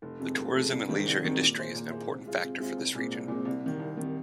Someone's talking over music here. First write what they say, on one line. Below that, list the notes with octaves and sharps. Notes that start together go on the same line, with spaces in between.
The tourism and leisure industry is an important factor for this region.
F1
F2 C3 G#3
F1
F2 C3 G#3
C2
C3 D#3 G#3 C4
C2
C3 D#3 G#3 C4
A#2
A#3 G#4 C5
A#2
A#3 G#4 C5
C3
G#3 C4 F4 G#4
C3
G#3 C4 F4 G#4
C2
A#2 G#3 C4
C2
A#2 G#3 C4
C2
C3 D#3
C2
C3 D#3